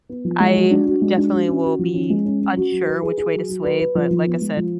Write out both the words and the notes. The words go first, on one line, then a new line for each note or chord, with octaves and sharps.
I definitely will be unsure which way to sway, but like I said
B3
F3
G#3
F#4
D4
F#4
G#3
D4
F#4
C#4
F#4
F3
C#4
G#3
C#4
C#4
F#4
F#3
B4
G#4
G#4
F#3
F#3
B4
B4
F3
F3
B3
G#3
F3